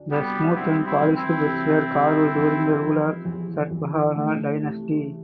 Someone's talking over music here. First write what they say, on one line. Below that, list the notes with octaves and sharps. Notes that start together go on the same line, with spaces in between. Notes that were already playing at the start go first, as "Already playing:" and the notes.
The smooth and polished beds were carved during the rule of Satavahana dynasty.
Already playing: D2 D4
C3 G3 B3
C2 C4 E4
C4 E4
E3
C4 E4
C3
C3
E2
F3
E2
E2
A3
C3